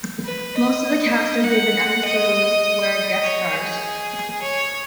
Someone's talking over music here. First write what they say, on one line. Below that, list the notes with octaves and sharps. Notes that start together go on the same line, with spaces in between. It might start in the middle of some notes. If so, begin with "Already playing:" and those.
Most of the cast of a given episode were guest stars.
B4
D#5
F#5
D#5
C#5
G#4
C#5